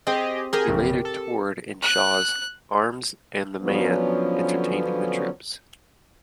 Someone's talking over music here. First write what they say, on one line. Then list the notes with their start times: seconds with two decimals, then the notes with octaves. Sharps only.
He later toured in Shaw's "Arms and the Man", entertaining the troops.
0.07 C4 G4 G#4 D#5
0.53 G4 G#4 A#4
0.68 A#1 F#2 C#3
1.05 A4
1.82 F#6
3.61 D3 F3 F#3 B3 C#4